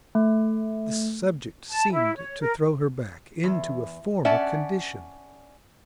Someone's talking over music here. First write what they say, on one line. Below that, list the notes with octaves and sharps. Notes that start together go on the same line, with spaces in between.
The subject seemed to throw her back into a former condition.
A3
A5
E4
C#5
A#4
E2
C#4 D5 E5 F#5 A5